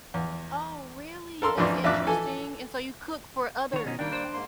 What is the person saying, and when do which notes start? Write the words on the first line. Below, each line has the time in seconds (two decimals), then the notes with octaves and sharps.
Oh, really? That's interesting, and so you cook for others.
0.14 E2
1.42 A4 A#4 C6 E6
1.58 A1 F2 E3 D4 C6
1.84 A1 F2 D4 E5 D6 F#6
2.07 E3 A4 G#5
3.73 D3 D#3 C#5
3.85 B2 C#4 D#4
3.99 D#3 G3 A#3 D4 G5
4.11 D4 C5
4.34 G#2 A#3 C6